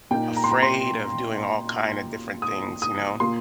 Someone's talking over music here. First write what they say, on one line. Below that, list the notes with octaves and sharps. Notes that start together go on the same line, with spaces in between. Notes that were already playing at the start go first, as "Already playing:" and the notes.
afraid of doing all kinda different things, you know?
A#2 A#3 D#4 G5
A#5
C6
A#5
C6
D#6
D#6
A#2 A#3 F4 C6